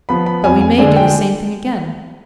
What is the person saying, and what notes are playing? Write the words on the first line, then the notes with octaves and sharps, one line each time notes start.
But we may do the same thing again.
F3 B3 B5
B5
F2 G#5
G#5
D3 G#3 D4 G#5
G5